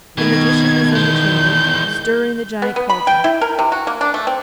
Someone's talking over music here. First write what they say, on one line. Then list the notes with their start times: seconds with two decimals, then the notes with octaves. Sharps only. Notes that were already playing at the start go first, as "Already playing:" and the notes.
The magician was in the chamber, stirring the giant cauldron.
0.18 B2 D#3 G#6
0.95 E3 G#3 G6
2.62 B3
2.76 B3
2.90 B5
3.07 G5
3.24 E4
3.41 A#4
3.59 C3
3.72 F#4
3.87 A#3
4.01 D4
4.14 A3
4.27 C4